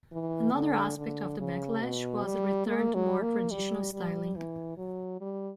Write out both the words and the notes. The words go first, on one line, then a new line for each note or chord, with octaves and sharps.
Another aspect of the backlash was a return to more traditional styling.
E3
D3
D3
C#3
B2
G3
A#3
F#3
A#3
G3
G3
E3
F#3
G3